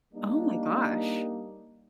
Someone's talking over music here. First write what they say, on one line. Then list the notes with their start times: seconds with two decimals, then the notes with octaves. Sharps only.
Oh my gosh.
0.13 G3 A#3 D4 D#4